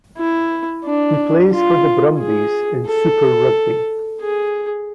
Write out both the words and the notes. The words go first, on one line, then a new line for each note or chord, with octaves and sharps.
He plays for the Brumbies in Super Rugby.
E4
D4
F4
G#4
A4
G#4